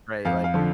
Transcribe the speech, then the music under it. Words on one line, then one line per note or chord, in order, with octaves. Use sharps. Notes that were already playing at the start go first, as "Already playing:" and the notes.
right, like,
F2 F5
F5
D3 F3